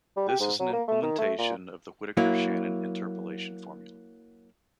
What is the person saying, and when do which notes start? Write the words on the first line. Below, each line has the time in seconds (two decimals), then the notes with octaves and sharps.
This is an implementation of the Whittaker-Shannon interpolation formula.
0.17 G3
0.28 G4
0.40 G#2
0.60 F#3
0.72 A#3
0.88 A3
1.02 D#3
1.18 A3
1.38 A#2
2.17 F#3 A#3 E4